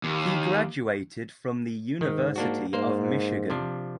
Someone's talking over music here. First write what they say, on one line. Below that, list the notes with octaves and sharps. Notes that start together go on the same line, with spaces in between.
He graduated from the University of Michigan.
D#2
G#2 D#3
A#3 D4 F#4
G#2 A#3 C5
C3 F3 D4